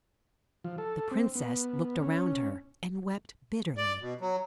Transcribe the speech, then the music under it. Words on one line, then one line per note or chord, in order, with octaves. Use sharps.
The princess looked around her, and wept bitterly.
F3
A4
C4
B3
C#4
D5
B2
F#3